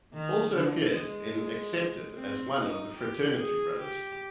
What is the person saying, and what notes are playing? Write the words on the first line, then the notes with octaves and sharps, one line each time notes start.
Also appeared in "Accepted" as one of the Fraternity Brothers.
D#3
D3
G#3
C4
D#4
G4
G#4
G4